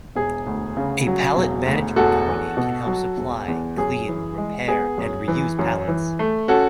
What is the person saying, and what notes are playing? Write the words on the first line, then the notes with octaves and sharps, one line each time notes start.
A pallet management company can help supply, clean, repair, and reuse pallets.
E1 G#4
D2
C#3
F#3
E1
D2
E1 F#4 A4
E2
B2
F#3
E1
E2
F#2 G#4
E3
G#3
B3 G#4
F#2
E3
F#2
E3
A3
C#4 F#4 A4